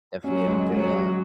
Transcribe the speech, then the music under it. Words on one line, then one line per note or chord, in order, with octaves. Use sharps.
definitely had a good, uh
F#3 C#4
G#3
F#3 G#3
F#4